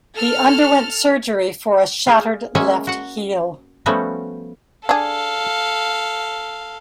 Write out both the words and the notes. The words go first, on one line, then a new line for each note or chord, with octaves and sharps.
He underwent surgery for a shattered left heel.
A4 F6
F4 G#4
G#3 A#3 C#4 E5 F#5 G#5
F#4 F#5
F3 G3 A3 B3 C#4 F#4
D4 G#4 A4 F5